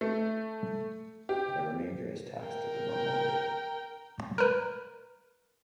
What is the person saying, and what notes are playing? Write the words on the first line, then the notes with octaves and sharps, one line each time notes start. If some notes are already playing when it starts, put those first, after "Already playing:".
The remainder is taxed at the normal rate.
A3
G4
A#4 G5
A#4 B4